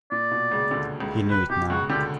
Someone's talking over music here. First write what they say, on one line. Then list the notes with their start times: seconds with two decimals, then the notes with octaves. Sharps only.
He knew it now.
0.11 A#2 D5
0.31 B2
0.51 C#2 C#3
0.71 D2 D3
1.00 C#2 C#3
1.30 B4
1.50 B2 G4
1.70 C#2 C#3 F#4
1.89 D2 D3 G4